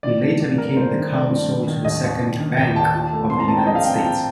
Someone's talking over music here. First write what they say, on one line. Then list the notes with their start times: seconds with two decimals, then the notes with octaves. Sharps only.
He later became the counsel to the Second Bank of the United States.
0.03 D#3 D5
0.21 A3
0.40 G2 D5
0.58 A3 A#4
0.77 G2 C5
0.94 D#3
1.12 A3 D5
1.30 G2
1.49 D#3
1.67 D#3
1.85 D#2 D#5
2.04 D#2
2.21 D#2
2.39 D#3
2.57 D#2 G5
2.76 D#2 A5
2.94 A#2 A5
3.13 A3
3.30 C4 C6
3.40 A#5
3.48 C4 A5
3.57 G5
3.66 A#1 D#5
3.75 F5
3.84 C4 G5
3.94 A5
4.03 A#2 G5